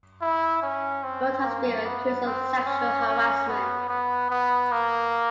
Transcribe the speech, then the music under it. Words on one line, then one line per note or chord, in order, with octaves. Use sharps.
Nord has been accused of sexual harassment.
E4
C#4
C4
A#3
B3
C4
C#4
C#4
B3
B3
B3
A#3